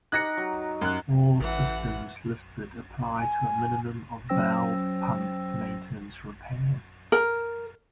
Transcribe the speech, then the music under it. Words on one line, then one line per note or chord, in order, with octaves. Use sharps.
All systems listed apply to a minimum of valve, pump maintenance repair.
D#4 G4 F#6 A#6 C#7
F#3
F#2 F#6
A1 E3 F#5
G#5
F#3 C#4 C5 G5 E6 A#6
A#4